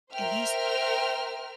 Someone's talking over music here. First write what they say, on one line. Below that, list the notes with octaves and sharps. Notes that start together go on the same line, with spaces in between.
and he's
A#4 C5 E5 G5 F6